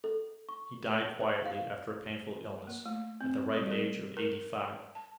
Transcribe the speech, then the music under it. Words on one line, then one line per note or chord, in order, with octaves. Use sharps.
He died quietly, after a painful illness, at the ripe age of eighty-five.
A4
C#6
C5
F5
A#3
A3
C4
G3
A#4
A#4
A5